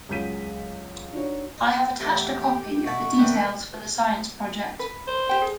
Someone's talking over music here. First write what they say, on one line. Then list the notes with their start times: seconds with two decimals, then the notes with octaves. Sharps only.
I have attached a copy of the details for the science project.
0.09 C#2 F#3 G#3 G6 B6 D#7
1.13 D4 D#4 F#4 C#5
1.58 D#4
1.99 E2 A3 C4 G4
2.85 B2 E4 F#4 C#6
3.18 C2 D#3 E3 B4 G5 B5
4.79 B4
5.08 C5
5.29 G4 G5
5.42 G#4